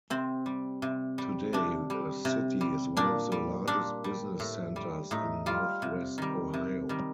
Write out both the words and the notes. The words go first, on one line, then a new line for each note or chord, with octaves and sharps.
Today the city is one of the largest business centers in Northwest Ohio.
C3 C4
G3
C3
G3
C3 D4
G3
C3
G3
A#2 D4
G3
A#2 D4
G3
A2
G3
A2 D#4
G3 F4
C3
D#3 G3
C3
D#3 G3